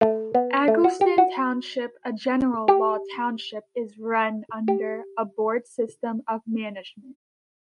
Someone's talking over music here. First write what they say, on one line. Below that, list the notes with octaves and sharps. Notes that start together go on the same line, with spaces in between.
Egelston Township, a general law township, is run under a board system of management.
A3
B3
A3
F#4
G4
F#4
G4
G4